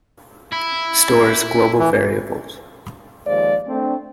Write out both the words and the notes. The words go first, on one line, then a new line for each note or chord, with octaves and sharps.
Stores global variables.
E4
E3
D#2 F3 G#3 C5 D5 F5
A3 C4 D4